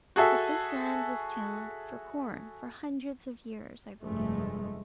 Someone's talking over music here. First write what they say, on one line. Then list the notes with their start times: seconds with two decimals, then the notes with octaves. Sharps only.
But this land was tilled for corn, for hundreds of years, I believe.
0.16 F#4 G#4 A4 E5
4.02 F1 G2 G#3 A3